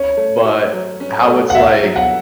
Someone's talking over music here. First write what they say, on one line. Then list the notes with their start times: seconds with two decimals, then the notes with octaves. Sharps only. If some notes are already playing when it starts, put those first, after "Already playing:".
but, how it's like
Already playing: C#4 C#5
0.17 A3
0.45 F#4
0.73 F#3
1.00 C#4
1.28 A3
1.50 F#5
1.55 F#4 E5
1.83 F#3
1.96 F#5